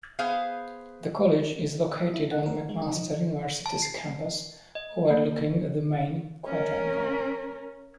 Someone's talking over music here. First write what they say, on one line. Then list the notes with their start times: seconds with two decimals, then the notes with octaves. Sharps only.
The College is located on McMaster University's campus overlooking the main quadrangle.
0.19 B3 G#4 C5 F5
2.14 E4
2.31 F#5
2.46 A#4
2.69 G#3
2.82 D#4
2.95 F3
3.66 A5
3.82 C7
4.75 D#5
5.10 A#3
6.46 C#4 A#4